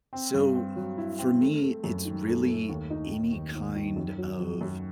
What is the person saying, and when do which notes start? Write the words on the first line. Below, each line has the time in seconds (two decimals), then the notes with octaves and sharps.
So, for me it's really any kind of
0.13 C4
0.34 G2
0.55 C4
0.76 F#3
0.98 E4
1.19 C4
1.40 A3
1.62 A3
1.84 F#2
2.05 D#3
2.26 A3
2.47 A3
2.69 D#2
2.90 D#4
3.12 D#3
3.33 D#2
3.55 D#2
3.76 D#3
3.96 F#2
4.18 F#3
4.40 F#3
4.61 F#2